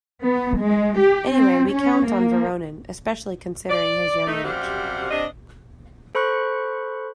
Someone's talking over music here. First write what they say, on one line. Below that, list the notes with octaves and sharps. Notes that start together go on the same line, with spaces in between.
Anyway, we count on Voronin, especially considering his young age.
B3
G#3
G4
C4
C#4
A#3
D5
A3 D#4
F#2 C3 G3 C4 F5 F#5
C3 D4 D#5
A4 C5 B5 C#6 F#6 C#7